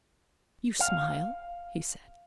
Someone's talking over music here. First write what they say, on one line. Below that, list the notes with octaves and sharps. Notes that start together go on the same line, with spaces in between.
"You smile," he said?
F5